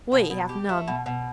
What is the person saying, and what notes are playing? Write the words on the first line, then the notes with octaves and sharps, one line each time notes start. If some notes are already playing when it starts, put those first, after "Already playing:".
We have none.
B2
B2
G4
A3
B2
B2